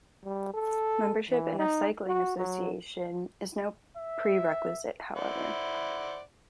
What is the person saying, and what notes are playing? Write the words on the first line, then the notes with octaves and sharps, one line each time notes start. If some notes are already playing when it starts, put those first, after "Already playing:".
Membership in a cycling association is no prerequisite however.
G3
A4
E3
D#4
F#4
F#3
E5
E4 C5 D5 F#5